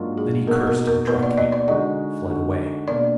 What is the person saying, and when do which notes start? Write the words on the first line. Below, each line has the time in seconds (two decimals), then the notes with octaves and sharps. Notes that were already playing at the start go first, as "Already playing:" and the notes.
Then he cursed and dropped me; fled away.
Already playing: G#2 F#3 A#3 D4 F4
0.18 G#4
0.47 B2 A#3 D#4 F#4 A#4
0.67 A#4
0.87 A#4
1.07 B2 A#3 D#4 F#4 B4
1.23 D5
1.38 D#5
1.52 D5
1.68 D3 G#3 D#4 F#4 D#5
2.28 D3 G#3 D#4 F#4
2.88 B2 A#3 D4 D5